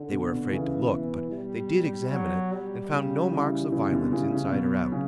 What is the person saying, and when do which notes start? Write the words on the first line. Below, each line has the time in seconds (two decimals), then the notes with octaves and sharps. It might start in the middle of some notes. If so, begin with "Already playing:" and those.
They were afraid to look; but they did examine it, and found no mark of violence, inside or out.
Already playing: D3
0.11 B2
0.32 B2
0.52 C#3 E3
0.92 B2
1.31 G3
2.12 F#3
2.52 G3
2.92 C#3
3.31 C#3 E3
3.72 C#3 E3
3.92 B2 D3
4.12 C#3 E3
4.32 C#3
4.52 B2 F#3
4.92 C#3